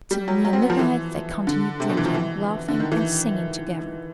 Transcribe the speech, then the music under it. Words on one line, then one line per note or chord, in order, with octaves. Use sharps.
Till near midnight they continued drinking, laughing, and singing together.
G3
F#3
F#3
C4
B3
F3
E3
D3
C3
B2
E3
F3
E3
D3
D#3
E3